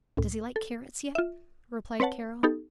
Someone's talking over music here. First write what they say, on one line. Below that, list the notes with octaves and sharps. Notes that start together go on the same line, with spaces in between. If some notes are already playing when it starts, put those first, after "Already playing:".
"Does he like carrots yet?" replied Carol.
C#2 A2
A4
F4 E5
C4 B4 C#5 F#5 A5
B3 D#4 G4 A4